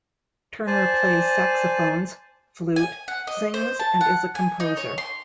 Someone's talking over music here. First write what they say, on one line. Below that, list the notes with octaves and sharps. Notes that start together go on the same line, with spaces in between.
Turner plays saxophones, flute, sings and is a composer.
C5 D5 G#5 A5
G#5
F#5
D#5
C5
A5
F#5
G#5
D#4
C#5
C6